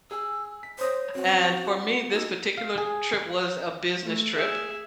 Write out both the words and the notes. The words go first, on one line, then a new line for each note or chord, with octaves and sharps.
And for me, this particular trip was a business trip,
G#4 E6
B6
C5 C#5 C6 D#6 A#6
C4 C#4 F#4
F#5
A#3 D#4 F#4 E6
F5
G#4
A3
G#4 E5